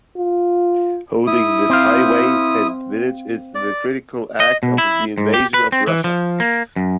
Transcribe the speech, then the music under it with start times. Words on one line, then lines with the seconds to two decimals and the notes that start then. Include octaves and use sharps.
Holding this highway and village is the critical act of the invasion of Russia.
0.17 F4
1.27 E4 D#6
1.70 C4 C5 F5
3.55 D5
4.40 D#5
4.63 B2
4.78 E4
5.18 G#2
5.34 G4
5.54 B4
5.72 C4
5.87 E3
6.04 F3
6.40 A#3
6.76 F#2